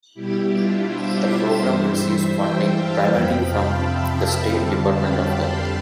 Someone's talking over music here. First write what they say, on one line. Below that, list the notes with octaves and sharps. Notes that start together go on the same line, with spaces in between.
The program receives funding primarily from the state Department of Health.
B2 G3 E4 G4
D4 F4
C5 E5
G2 E3 G3
E5 G5
F5 A5
F2 C3 F3 G5 B5
F5 A5
E5 G5
F2 D3 G3 F5 A5
G5 B5
A5 C6